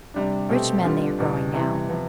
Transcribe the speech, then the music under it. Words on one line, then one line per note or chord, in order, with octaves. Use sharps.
Rich men they are growing now.
C3 G3 D4
B2 A3 C4 G4
D3 G3 B3 D4 F4
E2 B2 G3
C3 E3 G3
C3 F3 B3